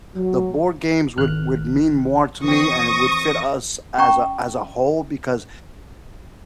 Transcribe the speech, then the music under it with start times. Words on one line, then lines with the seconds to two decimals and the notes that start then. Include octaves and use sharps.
the board games would would mean more to me, and it would fit us as a as a whole because
0.15 F#3
1.18 G#1 F6 F#6
2.44 E3 C4 C#6 D#6 A#6
3.98 C#4 G5 A#5 C#6